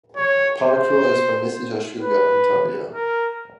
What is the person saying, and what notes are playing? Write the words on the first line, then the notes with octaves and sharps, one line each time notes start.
Pakrul is from Mississauga, Ontario.
C#5
C5
B4
A#4